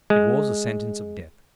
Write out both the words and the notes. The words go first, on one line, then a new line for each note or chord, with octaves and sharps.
It was a sentence of death.
G#3